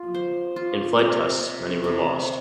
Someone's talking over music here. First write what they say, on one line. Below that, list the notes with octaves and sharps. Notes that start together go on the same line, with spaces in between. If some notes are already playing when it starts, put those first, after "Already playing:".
In flight tests many were lost.
Already playing: F4
C5
F4
C3
C3
C3